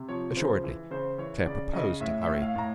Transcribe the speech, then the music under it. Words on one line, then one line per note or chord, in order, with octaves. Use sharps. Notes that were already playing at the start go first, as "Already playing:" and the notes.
Assuredly Claire proposed to hurry.
Already playing: C3
F3 C#5
C#3 C5
E3
C#3 C5
E3 C#5
C#3 D5
C#3 D#5
A2 E5
E5
A2
F5
A2 A#5